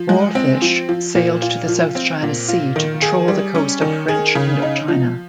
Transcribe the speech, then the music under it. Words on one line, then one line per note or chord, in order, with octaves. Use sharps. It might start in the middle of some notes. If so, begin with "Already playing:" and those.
"Boarfish" sailed to the South China Sea to patrol the coast of French Indochina.
Already playing: F3
G#3
C4
F3
F3
A#2
F4
F3
C4
A#2
F4
D#3
G#4
G3
C#4
D#3
G#4
C#3
D#4
F3